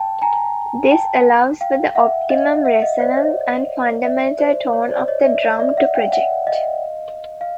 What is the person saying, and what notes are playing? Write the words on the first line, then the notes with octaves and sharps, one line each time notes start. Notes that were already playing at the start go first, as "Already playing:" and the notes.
This allows for the optimum resonance and fundamental tone of the drum to project.
Already playing: G5 A5
G#5 A#5
G5 A5
F5 G5
E5 F#5
D#5 F5
E5 F#5
D#5 F5
C5 D5
C#5 D#5
D5 E5
C5 D5
C#5
C5 D5
C#5 D#5
D5 E5
C#5 D#5
D5 E5
E5 F#5
F5 G5
E5 F#5
D#5 F5
F5